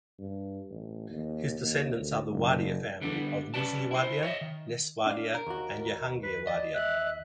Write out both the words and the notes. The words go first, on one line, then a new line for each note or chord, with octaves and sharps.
His descendants are the Wadia family of Nusli Wadia, Ness Wadia and Jehangir Wadia.
G2
A1
D#2
D#2
D2
F#1
D3 G3 B3 D4
C#4 B4 D5 A5
E4 C5
C#5 D#5 E5
D#3
D4 F5
A#4
D#2 F#4
B4
D5 D#5
E5 F#6